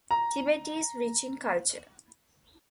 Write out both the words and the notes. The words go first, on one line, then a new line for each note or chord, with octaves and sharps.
Tibet is rich in culture.
A#5